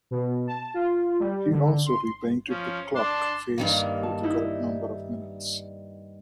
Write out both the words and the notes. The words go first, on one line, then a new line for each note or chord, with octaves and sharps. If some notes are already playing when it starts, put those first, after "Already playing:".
He also repainted the clock face with the correct number of minutes.
B2
A5
F4
G3
D3
C6
F3 C#4
D4 A5 C6
G2 D#3 A#3
A5
D#4 E4